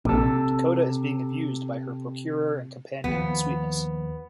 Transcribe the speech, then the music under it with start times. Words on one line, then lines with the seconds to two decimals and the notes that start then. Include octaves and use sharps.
Dakota is being abused by her procurer and companion, Sweetness.
0.05 A#1 C3 A4
3.04 D#2 F3 B3